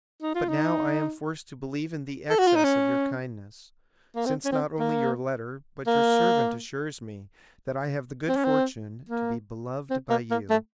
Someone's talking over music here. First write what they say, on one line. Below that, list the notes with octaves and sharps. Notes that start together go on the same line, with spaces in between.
But now I am forced to believe in the excess of your kindness, since not only your letter but your servant assures me that I have the good fortune to be beloved by you.
D#4
F4
D#4
A4
F#4
F4
D#4
C#4
A#3
C4
C#4
C4
A#3
A#3
C4
C#4
C4
A#3
C4
A#3
A#3
A3